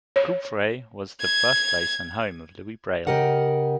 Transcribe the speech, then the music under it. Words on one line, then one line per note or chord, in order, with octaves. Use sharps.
Coupvray was the birthplace and home of Louis Braille.
C#5
G#6
C#3 G4 A#4 D#5 F#5